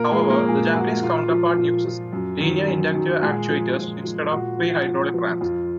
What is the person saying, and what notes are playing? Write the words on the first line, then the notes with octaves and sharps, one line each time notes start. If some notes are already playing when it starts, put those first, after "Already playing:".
However, the Japanese counterpart uses linear-inductive actuators instead of three hydraulic rams.
Already playing: A#2 A#3 A#4
G#3 G#4
F3
A#3 A#4
A#2 G#3 G#4
F3 F#4
A#2 F4
F3
A#2
F3
F#2
D#3 F#3
F#2
D#3 F#3
A#2 G#3 G#4
F3
A#2
F3
A#2 F#4
F3
A#2
F3
F2 F4